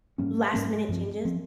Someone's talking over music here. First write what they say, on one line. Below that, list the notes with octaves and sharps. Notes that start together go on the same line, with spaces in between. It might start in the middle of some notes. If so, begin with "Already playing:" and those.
last minute changes,
G#2 G3 A#3 C#4
G#2 G3 A#3 C#4
G2 F3 C4
F3 C4